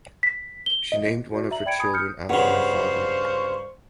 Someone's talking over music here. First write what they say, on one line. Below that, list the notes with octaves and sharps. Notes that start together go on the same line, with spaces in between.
She named one of her children after her father.
B6
G7
D#5
F#4 D5
E5 A#5 F#7
D5 G5 B5 G#6 C#7 D7
G#5 B5 D#6 G#6
D#6 F6 G6 C#7
G2 C#3 C5 F5 F#5 C#6